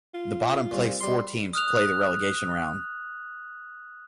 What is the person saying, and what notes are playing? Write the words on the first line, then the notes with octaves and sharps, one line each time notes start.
The bottom placed four teams play the relegation round.
F4
C2 A#2
G3 C6
D#6 F6 F#6 F7